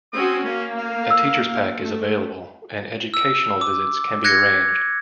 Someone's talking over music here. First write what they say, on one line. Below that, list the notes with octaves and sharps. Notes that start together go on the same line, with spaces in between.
A teacher's pack is available and educational visits can be arranged.
C4 C#4 F#4 D#6
A#3 C#4
F5
E6
A3
E6
D6
F#6 G#6 A#6 C#7